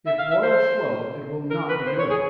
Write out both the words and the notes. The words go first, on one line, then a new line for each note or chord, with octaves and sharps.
If broiled slow, it will not be good.
E5
F5
E5
C5
A#4
B4
C5
C#5
G#4